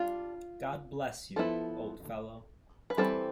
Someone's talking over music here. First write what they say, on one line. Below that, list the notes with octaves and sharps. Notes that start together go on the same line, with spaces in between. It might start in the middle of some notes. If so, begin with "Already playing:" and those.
God bless you, old fellow!
Already playing: G3 D4 F4
F3 B3 E4 A4
B4
E3 G3 C4 E4 A4